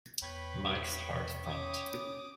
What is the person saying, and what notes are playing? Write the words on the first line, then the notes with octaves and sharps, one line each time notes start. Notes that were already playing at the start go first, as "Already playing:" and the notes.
Mike's heart thumped.
E2 B4 C#5 G5 B5
C#4 D6 D#6